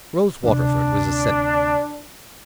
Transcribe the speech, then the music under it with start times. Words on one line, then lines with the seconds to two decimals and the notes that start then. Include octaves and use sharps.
Rose Waterford was a cynic.
0.43 D2 C3 D4